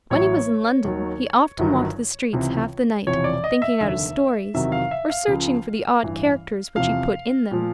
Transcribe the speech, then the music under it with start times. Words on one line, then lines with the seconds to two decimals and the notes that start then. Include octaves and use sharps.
When he was in London he often walked the streets half the night, thinking out his stories, or searching for the odd characters which he put in them.
0.10 A1 A2 F#3 C#5
0.84 D#2 D#3 F#3
1.59 G1 G2 D#3 F#3
2.33 C#2 C3 E3
3.07 E1 E2 C3 F3 C#5
3.24 D5
3.44 D#5
3.62 E5
3.81 F1 D#2 D3 E5
4.54 E2 C3 D#3 F#3 E5
4.72 F5
4.91 E5
5.10 F5
5.27 C#2 C#3 F3
6.02 A1 G2 E3
6.75 E2 C3 F3 F5
7.51 A#2 F3